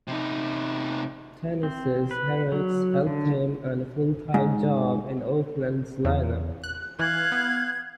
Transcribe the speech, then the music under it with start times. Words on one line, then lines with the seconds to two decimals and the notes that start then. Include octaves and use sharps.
Tenace's heroics helped him earn a full-time job in Oakland's lineup.
0.08 C3 D#4
1.63 C4
2.11 B4
2.52 F#3
3.07 D3
4.34 G#2
6.04 E2
6.64 F#6
6.99 E3 F5 F#6 G#6
7.32 B3